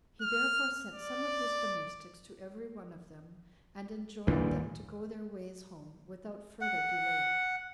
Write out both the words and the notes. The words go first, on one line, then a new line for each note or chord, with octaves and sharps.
He therefore sent some of his domestics to every one of them, and enjoined them to go their ways home without further delay.
F6
D5
G#1 D#2 A#2 D3 E3 G3
F#5